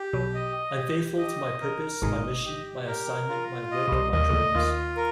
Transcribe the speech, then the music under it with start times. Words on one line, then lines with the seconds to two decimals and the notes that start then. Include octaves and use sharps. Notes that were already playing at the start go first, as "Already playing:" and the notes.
I'm faithful to my purpose, my mission, my assignment, my work, my dreams.
Already playing: G4
0.13 B1 B2
0.34 D#5
0.76 G4
1.18 D#5
1.61 A#4
2.02 G#1 G#2 D#5
2.45 G4
2.87 A#4
3.29 F4
3.71 D#5
3.88 B2
3.92 C2 C3
4.12 D#2 D#3 D#5
4.29 C#3
4.33 D2 D3
4.55 D#2 D#3 F4
4.96 A#4